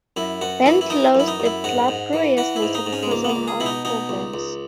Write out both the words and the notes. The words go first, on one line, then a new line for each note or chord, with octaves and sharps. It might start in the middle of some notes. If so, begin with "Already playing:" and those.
Ben closed the club three years later because of health problems.
F#2 E4
F#2 F#4
E3 E4
E4
E3 D#4
F#2 E4
D#4
F#2
E4
G#2 F#4
G#2
E3
E3 F#4
E4
G#2
D#4
G#2
C#4
G#3
C#2 A#3
B3
A#3
C#2
G#4
B2 E4
D#4
B2 D#4
C#2
C#2